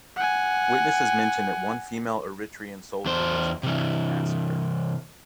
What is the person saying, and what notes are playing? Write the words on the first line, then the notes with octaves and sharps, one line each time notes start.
Witnesses mention that one female Eritrean soldier was leading the massacre.
F#5 G#5
E2 C5
C3 E3